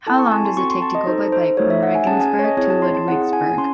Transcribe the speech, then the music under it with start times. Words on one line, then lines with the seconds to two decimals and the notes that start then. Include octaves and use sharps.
How long does it take to go by bike from Regensburg to Ludwigsburg?
0.07 C4 E4 A4 A5
0.19 C#6
0.27 G#5
0.32 A5
0.45 C6
0.57 C4 F#4 A4 C#6
0.70 C6
0.82 A5
0.95 D#5
1.07 D#4 C5
1.11 A4
1.32 C5
1.57 A3 D#4 F#4 A4 C#5
1.70 E5
1.83 F#5
1.95 G#5
2.07 C#4 G#4 A5
2.20 G#5
2.39 C#5
2.45 D#5
2.57 C4 E4 G#4 C#5
2.70 A5
2.82 C6
2.95 A5
3.08 C4 E4 G#4 F#5
3.33 G#5
3.46 A5
3.58 C#4 C6